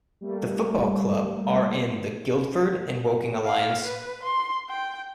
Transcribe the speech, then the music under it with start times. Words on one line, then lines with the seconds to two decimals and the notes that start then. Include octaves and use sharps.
The football club are in the Guildford and Woking Alliance.
0.21 G3 A3 A#3
3.45 F5
3.85 B4
4.23 C6
4.69 G5